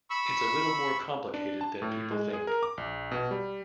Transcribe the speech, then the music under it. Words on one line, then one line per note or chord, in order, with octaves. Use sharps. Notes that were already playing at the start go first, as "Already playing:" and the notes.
It's a little more complicated than people think.
B5 C#6 E6
D4
A5
A2
G#3
G#4
A#4
D6
A#1
B2
G3